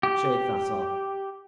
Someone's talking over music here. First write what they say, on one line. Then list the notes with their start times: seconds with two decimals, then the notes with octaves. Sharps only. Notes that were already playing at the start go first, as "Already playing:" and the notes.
Shake that off!
0.03 G4